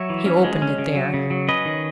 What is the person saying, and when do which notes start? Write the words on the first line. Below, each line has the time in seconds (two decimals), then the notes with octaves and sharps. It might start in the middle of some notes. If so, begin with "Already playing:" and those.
He opened it there.
Already playing: F#3 C#5 E5
0.10 E3
0.26 C#4
0.44 G#3
0.62 C#4
0.78 C#3
0.96 F#3
1.14 C#3
1.30 F#3
1.48 C#4 B4 D#5
1.65 D#3